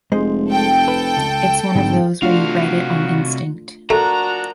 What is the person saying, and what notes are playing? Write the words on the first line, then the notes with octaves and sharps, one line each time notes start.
It’s one of those where you write it on instinct.
F1 G#3 C5 D#5
A4 G5
B4
C#2
G#1 G#2 D3 G3
C2 A3 D4 F4 F#4 F5
F3 A3 D4 F#4 A#4 A#5